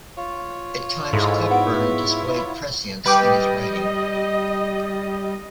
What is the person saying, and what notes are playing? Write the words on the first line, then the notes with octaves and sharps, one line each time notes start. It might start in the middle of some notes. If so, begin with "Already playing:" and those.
At times Cockburn displayed prescience in his writing.
F4 C#5
G#2 E4 G#4 A4
B3 F#4 D7
G3 B4 D#5 G5 D6